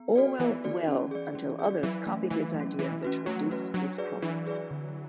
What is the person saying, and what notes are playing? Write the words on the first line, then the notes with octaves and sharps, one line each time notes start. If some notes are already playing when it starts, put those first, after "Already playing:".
All went well until others copied his idea, which reduced his profits.
Already playing: B3
F#4 A4 D5
E3 B3
F#4 A4 D5
C#4
G#4 D5
C#4
G#4 D5
E3 F#3
A3 C#4
E3 F#3
A3 C#4
E3 A3
C#4 F#4 B4
F#3 A3
C#4 F#4 B4
F#3 D4
G#4 B4 D5
E3 D4
G#4 B4 D5
D3